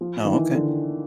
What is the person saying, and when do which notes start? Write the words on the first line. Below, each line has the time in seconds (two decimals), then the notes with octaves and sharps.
Oh, okay.
0.01 F3
0.25 D#3
0.33 E3
0.54 D3